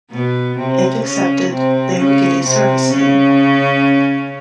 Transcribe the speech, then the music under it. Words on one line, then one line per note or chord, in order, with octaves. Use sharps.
If accepted they would get a service name.
B2 B3
C3 C4
C#3 C#4
C3 C4
C#3 C#4
C3 C4
C#3 C#4